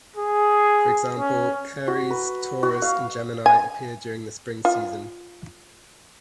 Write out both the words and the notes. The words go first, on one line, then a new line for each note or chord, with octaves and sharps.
For example, Aries, Taurus, and Gemini appear during the spring season.
G#4
C#4
F#4
B4
F#4
F5
G#5
F4